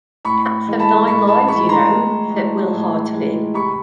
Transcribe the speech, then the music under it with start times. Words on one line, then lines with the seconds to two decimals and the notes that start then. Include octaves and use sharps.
"Cats have nine lives, you know," said Will heartily.
0.25 A2 B5 C#6
0.67 E3 G#3
0.79 A5 B5
1.07 A2 B5 C#6
1.27 A5 B5
1.48 E3 G#3 B5 C#6
1.69 A#5 C6
1.90 A2
2.31 E3 G#3
2.73 A2
3.14 E3 G#3
3.54 C3 B5 C#6